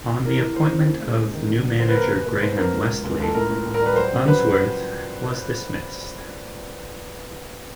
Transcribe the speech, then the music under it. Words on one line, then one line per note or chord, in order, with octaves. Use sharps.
On the appointment of new manager Graham Westley, Unsworth was dismissed.
E3 A#4
E3
E3 C5
C#3
D#2
G#3
D#2
D#3
D3
F#3
D#2 C5
B4
D#2 A#4
B2 B4
B2 B4
B2 C5
F#3 A#4
C#2
C#2
C#2
C#2 A4
A2 A#4
A2
A2
A#4
G3 B4
F#3 C5
C#3
F#3 B4